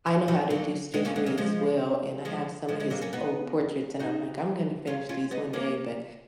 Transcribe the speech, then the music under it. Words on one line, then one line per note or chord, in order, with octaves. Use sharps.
I know how to do stitchery as well, and I have some of his old portraits, and I'm like, "I'm gonna finish these one day," but
F3
D#3 F#3
F#3 A#3
G#3 B3
A#3 C#4
G#3 B3
F#3 A#3
F3 G#3
F3 G#3
F3 G#3
F3 G#3
F#3 A#3
A#3 C#4
B3 D#4
D#4 F#4
C#4 F4
C#4 F4
B3 D#4
A#3 C#4